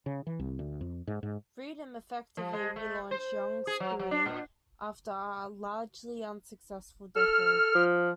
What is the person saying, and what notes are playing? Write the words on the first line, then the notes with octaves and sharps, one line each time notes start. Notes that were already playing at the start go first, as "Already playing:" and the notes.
"Freedom" effectively relaunched Young's career after a largely unsuccessful decade.
C#3
E3
C2
D2
F2
G#2
G#2
F3
G#3
A3
C5
G#4
F#3
F#3
D4
A#2
A4 F6
F3